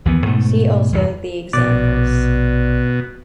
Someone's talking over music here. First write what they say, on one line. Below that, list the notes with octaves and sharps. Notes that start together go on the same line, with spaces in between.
See also the examples.
D#2 E3 B3
G#2 B2 A3
E2 G2 C3
A#1 B2 D5